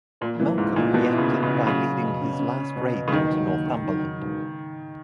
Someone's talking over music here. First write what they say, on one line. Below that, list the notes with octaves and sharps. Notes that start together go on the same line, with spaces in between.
Malcolm reacted by leading his last raid into Northumberland.
A#2 A#3
C#2 E3
C#2 G#2
A#2 A#3
B2 A#3
E4
C#3
B2
C#3
E4
C#3 F#3
F#3
B2
C#4
C#4
C#4
B2
B2
C#3
D#2 D#3
F#3
D#2
D#3
F#3
D#3
E1